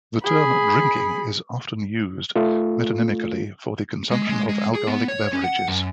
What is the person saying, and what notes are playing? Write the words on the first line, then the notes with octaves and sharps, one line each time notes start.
The term "drinking" is often used metonymically for the consumption of alcoholic beverages.
G#4 B5
A3 F4
G#3
G#3
G#3
G#4
B3
C#5
C#4
F#5
F#2